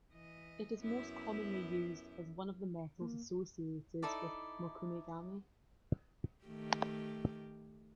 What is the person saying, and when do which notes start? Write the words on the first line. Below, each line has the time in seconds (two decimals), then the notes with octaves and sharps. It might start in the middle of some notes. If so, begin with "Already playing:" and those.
It is most commonly used as one of the metals associated with mokume-gane.
0.11 E3 D#5
0.81 F#2 B3 E4
3.01 A#3
4.02 D#4 E4 A4 D5
6.45 D#3 A3 G4